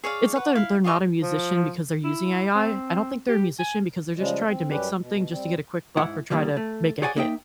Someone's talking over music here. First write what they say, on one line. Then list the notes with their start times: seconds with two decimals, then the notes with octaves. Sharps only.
it's not that they're they're not a musician because they're using AI, I don't think they're a musician because they're just trying to make something just to get a quick buck or try to make a hit,
0.04 G#4 C#5 D5 F5
0.35 B4 C#5 F#5
0.55 E4 F5
0.84 F4 G4 D#5 C#6
1.22 F3
2.04 E4
2.55 C4
3.28 G4
3.59 G#5
4.17 C#3 F3 G3 G#3
4.47 C4
4.70 F#2 G3 C#4 G4 B4
4.99 B2
5.31 G3 C4
5.97 G#2 E4 F#5
6.30 D3 D#3 G3 A#3
6.57 A3
7.02 G#4 C#5 D5 F#5 G#5
7.16 A#3 D#4 E5 G5